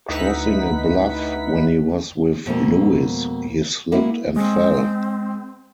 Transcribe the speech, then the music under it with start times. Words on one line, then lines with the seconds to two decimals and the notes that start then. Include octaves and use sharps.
Crossing a bluff when he was with Lewis, he slipped and fell.
0.09 D2 D#4 E4 B4 F#5 B6
2.46 F2 B2 G#3 A#3
3.92 G#3 A#3 E4 F#4
4.36 G#3 C4